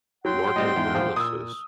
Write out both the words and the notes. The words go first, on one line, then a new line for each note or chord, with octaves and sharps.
market analysis
F#3 F#5 G5 C6
A2 G3 C4 D#5
E2 G#2
F3
A#2 D#6 E6